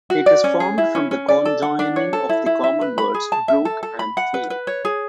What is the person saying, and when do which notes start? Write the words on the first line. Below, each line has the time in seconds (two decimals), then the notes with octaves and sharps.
It is formed from the conjoining of the common words "brook" and "field".
0.10 F#4
0.26 D5
0.44 C#4
0.60 G#4
0.78 E4
0.95 C#4
1.11 C#4
1.28 D5
1.45 A4
1.62 F#5
1.79 D4
1.96 C#5
2.13 A4
2.29 E4
2.46 E4
2.64 E5
2.81 B4
2.98 B5
3.14 G#4
3.32 A5
3.48 E5
3.65 A4
3.83 A4
3.99 B5
4.17 F#5
4.34 B4
4.50 B4
4.67 C#5
4.85 G#4